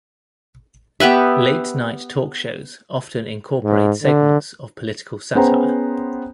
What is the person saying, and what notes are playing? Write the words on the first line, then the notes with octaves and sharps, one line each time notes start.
Late night talk shows often incorporate segments of political satire.
B3 G4 B4 E5
G#2
D3
B3 C#4 G#4 C5 G5 A#5